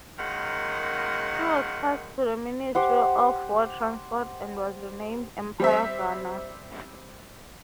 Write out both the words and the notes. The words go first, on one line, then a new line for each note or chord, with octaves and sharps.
She was passed to the Ministry of War Transport and was renamed "Empire Garner".
F#2 D#3 G#3 A#3 A#4 F#5
G4 C5 F#5
G3 C4 E5